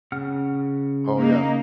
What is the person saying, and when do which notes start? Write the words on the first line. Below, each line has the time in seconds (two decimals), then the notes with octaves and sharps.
Oh, yeah.
0.12 C#3 F#5 F6
1.18 A#3 D#4